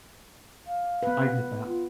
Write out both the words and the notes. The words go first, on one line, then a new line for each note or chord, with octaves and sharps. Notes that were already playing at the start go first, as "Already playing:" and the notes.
I get that.
F5
B3 B4
F4